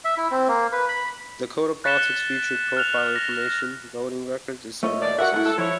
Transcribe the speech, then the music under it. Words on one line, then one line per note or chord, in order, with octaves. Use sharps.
DakotaPolitics featured profile information, voting records and some analysis.
E5
E4
C4
A#3
B4
B5
F#6 A6 B6 C#7 E7 G7
F6 F#6 F7
A#6 F7
A3 C#5 D#5
E2 D#3 D5
F#4 A#4 E5 F#5
G#2 A3 E4
A4
F3 E4 C#5